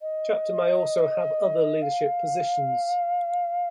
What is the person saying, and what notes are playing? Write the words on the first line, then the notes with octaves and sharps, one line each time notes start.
Chapter may also have other leadership positions.
D#5
F5